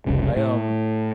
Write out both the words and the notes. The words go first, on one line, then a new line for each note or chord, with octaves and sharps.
I, um
F1 C2 C#3
A2